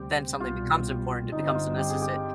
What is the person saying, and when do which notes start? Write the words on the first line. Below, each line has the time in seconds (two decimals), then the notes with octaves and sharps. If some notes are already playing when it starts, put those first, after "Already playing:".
Then something becomes important, it becomes a necessi
Already playing: D2 C3 G3 C4 G4
0.40 C2 B2 G3 B3 F4
1.32 G1 G2 D3 G3 C4 D#4
1.46 D#4
1.55 F4
1.78 G4
1.89 G#4
2.02 G4